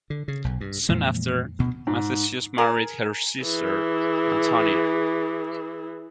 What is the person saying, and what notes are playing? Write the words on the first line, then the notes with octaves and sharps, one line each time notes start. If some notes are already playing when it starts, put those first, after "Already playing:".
Soon after, Mathesius married her sister, Antonia.
D3
C#3
B1
G2
F2 A#2 E3 G#3
D2 B2
G#2
G#4 A#4
E3 G#4